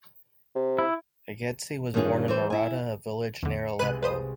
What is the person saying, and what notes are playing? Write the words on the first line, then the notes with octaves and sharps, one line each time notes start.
Aygektsi was born in Marata, a village near Aleppo.
C3
E4
G2 D#3 E3 C#4 F4 G#4
E3 G3 C5
E4 G#5
E2 D3
C#7
C2 C3 G#3 B4 F#6 D#7
B4 C5 D#6